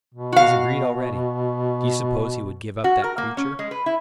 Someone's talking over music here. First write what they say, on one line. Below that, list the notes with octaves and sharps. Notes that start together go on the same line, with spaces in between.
He has agreed already: do you suppose he would give up that creature?
B2
F#4 F5
F#4
A#4
A#3
C#4
G#3
B4
E4